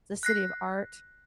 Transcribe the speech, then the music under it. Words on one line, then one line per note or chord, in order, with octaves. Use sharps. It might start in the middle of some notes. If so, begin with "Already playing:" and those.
the city of art.
F#6 A#6 C7